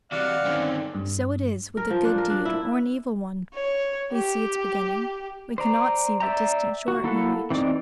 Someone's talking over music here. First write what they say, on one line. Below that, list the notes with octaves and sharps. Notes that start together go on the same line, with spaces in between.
So it is with a good deed or an evil one; we see its beginning; we cannot see what distant shore it may reach.
C3 E3 F#4 D5 F5 F#5
G2 D3 D#3 C4 C#4
G2
A#4
F3
D4
A#4
D4
E4
C#5
G4
C5 D5 A#5
D5 E5 G5 A#5
F#4
A#3 E4 A4 F#5
E3 C4 D#4 D5